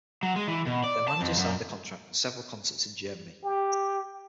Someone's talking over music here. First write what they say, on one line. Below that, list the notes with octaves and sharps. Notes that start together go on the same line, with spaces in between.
Their manager signed a contract for several concerts in Germany.
F#3
G#3
E3
B2
D5
A5
F2
F#2
G4